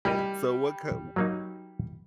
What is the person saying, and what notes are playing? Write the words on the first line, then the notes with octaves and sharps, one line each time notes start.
So, what k w
G3 E4 A#4 D#5
F#3 A#3 D#4